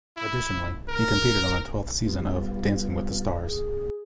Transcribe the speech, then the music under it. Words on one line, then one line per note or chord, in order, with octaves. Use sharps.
Additionally, he competed on the twelfth season of "Dancing with the Stars".
E4
A#4
G3 B3 F4 G4
G#4